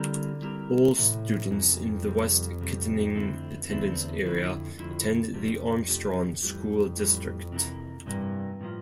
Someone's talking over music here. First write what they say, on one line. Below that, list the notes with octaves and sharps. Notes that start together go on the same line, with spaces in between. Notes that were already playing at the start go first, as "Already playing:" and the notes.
All students in the West Kittanning attendance area attend the Armstrong School District.
Already playing: D3 G3 C4 E4 G4 A#4
G3 C4 E4 G4 A#4
A2 C3 E3 A#3
F2 C3 E3 A#3
E2 C3 G3
E2 C3 G3
D3 A3 C4 E4
E2 D3 A3 C4 E4
F2 D3 F3 A3 E4
F2 D3 F3 A3 E4
F2 C3 F3 A3 D4 G4
C3 F3 A3 D4 G4
F2 A2 E3 G3
A2 E3 G3
C3 E3 A#3
G2 C3 E3 A#3
A2 F3 A#3